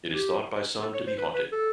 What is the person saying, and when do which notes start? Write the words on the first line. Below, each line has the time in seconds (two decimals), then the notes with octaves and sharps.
It is thought by some to be haunted.
0.14 G4
0.82 A4
0.94 C#5
1.07 C5
1.18 B4
1.34 B4
1.52 A4